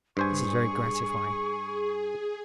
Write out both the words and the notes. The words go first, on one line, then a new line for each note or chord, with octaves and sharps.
This is very gratifying.
G2 G#4 C5 G#5 C#6